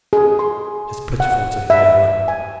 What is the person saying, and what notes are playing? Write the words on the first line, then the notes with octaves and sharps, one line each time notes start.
It is pitiful to hear her.
G#4
C6
F#5
E5
G#5